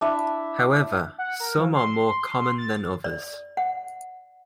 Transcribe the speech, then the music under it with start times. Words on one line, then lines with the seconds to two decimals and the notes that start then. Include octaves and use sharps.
However, some are more common than others.
0.01 D4 E4 E5
1.18 F#5
1.40 A#4
1.58 F3
1.74 C6
2.58 A6
3.04 D5
3.57 F#5